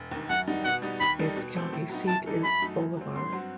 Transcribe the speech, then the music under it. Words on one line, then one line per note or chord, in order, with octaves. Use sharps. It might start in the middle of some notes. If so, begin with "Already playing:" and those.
Its county seat is Bolivar.
Already playing: E1
D#2 D#3
F#2 F#5
D#3 G3 D#4 F#4
B2 F#5
G3 B3 D#4
D#2 B5
D#3 G3 D#4 A4
B2
A3 C4
A2
F#3 B3 D#4
F#2 A5
E3 G3 D#4 A4
F#2 B5
F#3 A3 D#4
F#2
F#3 C4
G2 C6
F#3 C4 F#4